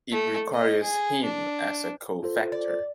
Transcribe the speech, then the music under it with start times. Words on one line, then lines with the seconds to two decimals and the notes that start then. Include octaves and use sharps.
It requires heme as a cofactor.
0.12 A3
0.53 D#5
0.82 G#4
1.24 D4
2.23 F4 A4 C5
2.52 D5